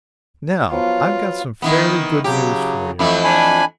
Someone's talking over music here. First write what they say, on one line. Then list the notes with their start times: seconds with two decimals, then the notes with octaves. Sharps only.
Now, I've got some fairly good news for you.
0.72 F3 F#3 B3 F4
1.62 D#3 E3 B3
2.24 C#3 F#3 G4
2.99 F2 E3 A3 B5
3.24 D4 G#5 B5